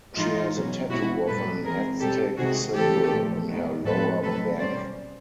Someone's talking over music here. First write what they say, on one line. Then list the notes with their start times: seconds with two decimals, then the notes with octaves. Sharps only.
She has a tattoo of an Aztec symbol on her lower back.
0.16 A2 E3 G#3 D#4 F4
0.54 B2 F#3 A#3 C#4
0.90 B2 G#3 C#4 E4 F#4
1.27 A#2 G3 A#3 A4 B4
1.64 E3 G#3 C4 G#4 A#4
2.01 B2 G3 C4 G4 A4
2.38 C3 D#3 G#3 C4 F#4 G#4
2.75 C#3 E3 A3 C4 G4 A4
3.12 A#2 F3 A3
3.49 D#3 G#3 B3
3.85 A2 F3 G#3 C4 A4 B4
4.23 C3 D#3 F#3 A3 A4 B4
4.59 B2 G3 A#3 C#4 C5 D5